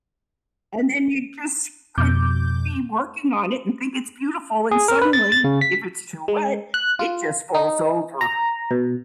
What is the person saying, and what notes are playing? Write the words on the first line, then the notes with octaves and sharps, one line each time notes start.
and then you just could be working on it and think it's beautiful and suddenly, if it's too wet, it just falls over
F2 B2 D6 G6
G#4
A#4
B4
A6
A6
C#3
B6
G#3
F#6
F4
D#4
A#5
B2